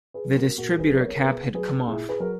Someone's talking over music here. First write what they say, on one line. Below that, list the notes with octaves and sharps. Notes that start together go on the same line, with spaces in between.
The distributor cap had come off.
G#4 B4
F#3
F#4 A#4
A#2 F#4 A#4
A#4
G#4 B4
F#3 B4
A#4 C#5
A#4
B2 G#4 B4
F#3 G#4 B4
A#2 E4 G#4
G#4 B4
F#3 A#4